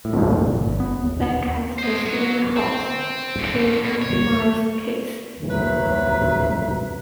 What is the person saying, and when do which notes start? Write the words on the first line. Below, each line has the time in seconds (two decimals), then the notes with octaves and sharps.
Back at the treehouse, Kate and Mars kiss.
0.05 A2
0.25 A#2
0.55 G1
0.80 B3
1.04 D#2
1.79 C5 D#5
2.06 F#3
2.56 C4
3.39 A2 D3
3.83 B2
4.02 C#5
5.50 D#2 F#3 B4 C5 E5 A#5